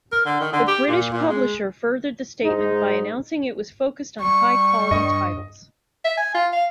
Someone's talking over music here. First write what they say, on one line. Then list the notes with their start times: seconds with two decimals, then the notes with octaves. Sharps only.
The British publisher furthered the statement by announcing it was focused on high-quality titles.
0.12 A#4
0.26 D3
0.40 D#3
0.53 D3
0.68 G4
0.87 A#2
1.13 A#2
1.29 G#3
2.45 G#2 D#4
4.21 G3 C#6
4.91 G2 D#5
6.05 E5
6.17 G#5
6.34 F4
6.53 F5